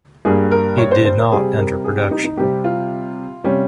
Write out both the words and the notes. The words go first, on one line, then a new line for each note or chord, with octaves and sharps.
It did not enter production.
G2 G3 A#3 G#4
A#4
C#5
C5
C5
A#4
C3 G3 C4 G#4
A#4
G#4
G4
D#4
D#4
C3 G3 C4 G4
F4
C3 G3 C#4